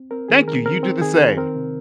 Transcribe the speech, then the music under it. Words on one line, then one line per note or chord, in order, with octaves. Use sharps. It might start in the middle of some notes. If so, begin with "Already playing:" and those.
Thank you, you do the same.
Already playing: C4
C4 A#4
D#3 G#4
D#3 A#4
C4 A#4
C4
D#3 G#4
D#3
C4 A#4
C3